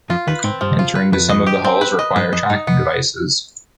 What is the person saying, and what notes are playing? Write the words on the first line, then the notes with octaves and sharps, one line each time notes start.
Entering to some of the halls requires tracking devices.
F2 F3 F4
D#2 D#3 B4
G#2 C4
G2 F3
F4
B4
F2 B4
D#5
G4
C4
B4
D#5
G2 B4
F2 D#5
G2 D#4
B3